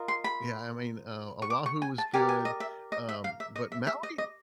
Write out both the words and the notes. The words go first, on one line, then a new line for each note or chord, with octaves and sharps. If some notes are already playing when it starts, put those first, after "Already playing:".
Yeah, I mean, uh, Oahu was good, um, but Maui
Already playing: F4 A#4 D#5
C6
B5
C#6
D6
C#6
G#5
A5
G4 A#4 D5 G#5
G#5
D#5
E5
D#5
E5
F5
E5
D#5
E5
E5
D#5
D#5